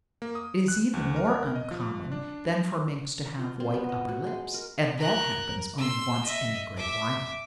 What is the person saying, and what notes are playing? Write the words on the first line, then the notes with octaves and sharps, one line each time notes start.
It is even more uncommon than for Minks to have white upper lips, and that happens only once in a great while.
A#3
D#6
F#6
D2
A#4
D#5
F3
D4
F4
C4
B3
D#5
F#4
G#3
A#4
A#4 F#6
C6 E6
D#5 E5
E5 D6